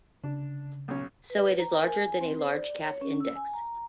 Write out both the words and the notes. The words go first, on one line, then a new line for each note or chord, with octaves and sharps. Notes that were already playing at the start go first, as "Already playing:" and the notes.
So it is larger than a large-cap index.
C#3 D4
B1 C#4
B4
A#5
A#4
G#5
C4
C5
D5
C#5
C#4
E6
G#5
A#5